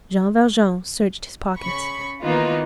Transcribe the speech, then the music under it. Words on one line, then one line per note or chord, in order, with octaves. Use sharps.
Jean Valjean searched his pockets.
C#3 B5 C#6
D#3 E3 A#3 B3 D#4 F4